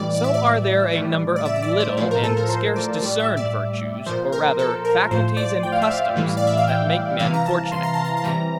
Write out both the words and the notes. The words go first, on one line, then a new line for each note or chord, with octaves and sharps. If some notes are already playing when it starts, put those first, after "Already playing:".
So are there a number of little, and scarce discerned virtues, or rather faculties and customs, that make men fortunate.
Already playing: A2 E3 G3 D5
D5
E5
D5
A2 E3 G3
D5
E5
E5
D5
C5
A2 F3 C5
A#4
A4
A#4
C5
D5
A2 G3 D5
E5
D5
A#2 F3 C5
A#4
A4
A#4
A2 F3 C5
D5
G5
F5
E5
F5
A2 E3 G3
D5
E5
F5
G5
C3 E3 G3 F5
A#5
A5
C6
A#5
A5
A#5
A5
C3 E3 G3 A#5